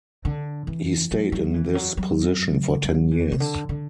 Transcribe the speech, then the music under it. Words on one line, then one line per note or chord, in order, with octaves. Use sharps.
He stayed in this position for ten years.
D3
E3
F#3
F#3
E3
F#3
F#3
F#3
E3
C3
D3
D3